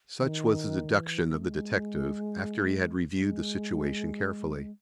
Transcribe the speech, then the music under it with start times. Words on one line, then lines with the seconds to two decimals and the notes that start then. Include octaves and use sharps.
Such was the deduction of the detective after he had reviewed the situation carefully.
0.19 D#3
0.94 E3
1.32 G#3
1.40 A3
1.49 G#3
3.18 G#3